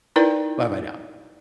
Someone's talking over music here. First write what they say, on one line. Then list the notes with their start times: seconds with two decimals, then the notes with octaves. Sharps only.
Bye-bye now.
0.16 D#4 E4 A#4 B4 D5 G5